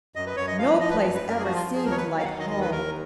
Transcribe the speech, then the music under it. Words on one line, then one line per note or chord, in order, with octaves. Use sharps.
No place ever seemed like home.
F#2 D#5
B4
F#2 C#5
D#5
F3 F5
B4
F3 D#5
B4
F#2 B4
B4
F#2
A#4
G#4
F3 F#4
F4
F3
G#4
D#2 A#4
C#5
B4
F#3
F5
F#5
D#3 F5
D#5
D#2 D#5
B4
D#2 A#4